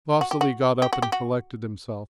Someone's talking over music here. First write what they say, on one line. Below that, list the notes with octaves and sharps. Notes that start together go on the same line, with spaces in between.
Vasily got up and collected himself.
F#4
G4
F#4
G4
F#4
G4
F#4